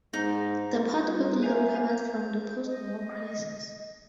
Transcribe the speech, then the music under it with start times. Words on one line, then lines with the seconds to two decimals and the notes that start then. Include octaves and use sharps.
The port quickly recovered from the post-war crisis.
0.13 G#2 D#4
1.00 G3 F4 G#4 B4
1.43 C5 E5 F5 G#5 A#5
1.89 G6
2.64 D#5